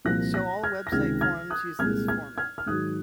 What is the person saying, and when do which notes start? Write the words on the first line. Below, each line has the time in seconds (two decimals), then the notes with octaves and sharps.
So all website forums will use this format.
0.05 C2 A#2 F3 F#6 A#6
0.34 F#6 A#6
0.63 F6 G#6
0.87 A#6
0.92 C#2 C3 D#3 G#3 F6 G#6
1.21 F6 G#6
1.50 D#6 F#6
1.79 C2 A#2 G#3 F6 G#6
2.08 F6 G#6
2.38 F6 G#6
2.58 F6
2.66 G#2 D#3 F#3 D#6 F#6